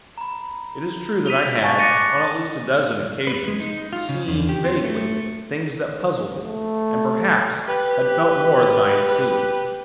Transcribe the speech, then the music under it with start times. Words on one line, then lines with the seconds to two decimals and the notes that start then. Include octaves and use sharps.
It is true that I had, on at least a dozen occasions, seen, vaguely, things that puzzled me, and, perhaps, had felt more than I had seen.
0.18 A#5 B5
1.26 B6 D#7 F7 G7
1.63 G#5 A5 C#6 A6
1.79 D6 F#6 A6 A#6 C#7 D#7
3.27 B4
3.48 G#3
3.60 D#4
3.93 F4
4.09 C#3
4.28 E2
4.49 G4
4.64 C4
4.84 A3
6.42 A3
7.68 G4 B4